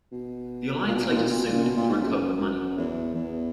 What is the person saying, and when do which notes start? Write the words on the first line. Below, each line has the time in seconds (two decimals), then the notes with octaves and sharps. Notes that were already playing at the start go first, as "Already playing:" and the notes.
The Alliance later sued to recover the money.
0.12 B2
0.87 A#2
0.95 B2
1.03 A#2
1.09 B2
1.16 A#2
1.23 B2
1.30 A#2
1.38 B2
1.46 A#2
1.64 B2
1.77 A#2
1.89 G#2
2.01 F#2
2.40 F#2
2.78 E2
3.15 E2